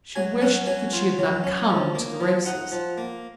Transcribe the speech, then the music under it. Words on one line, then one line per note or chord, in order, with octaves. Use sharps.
She wished that she had not come to the races.
F#3 G#5
C#4 F#5
F#3 G#5
F4
F#3
C#4
F3
A#3
F3
D#4 F#5
F3
A#3